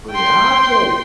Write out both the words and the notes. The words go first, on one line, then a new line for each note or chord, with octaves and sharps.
Really, I enjoyed it.
G5 C6